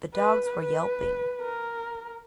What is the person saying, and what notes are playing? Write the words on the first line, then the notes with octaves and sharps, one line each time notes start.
The dogs were yelping.
B4
B4
A#4